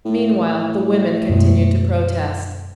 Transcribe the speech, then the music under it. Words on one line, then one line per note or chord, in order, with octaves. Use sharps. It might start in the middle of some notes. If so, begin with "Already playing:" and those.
Meanwhile the women continued to protest.
A2
F#2 B2 G#3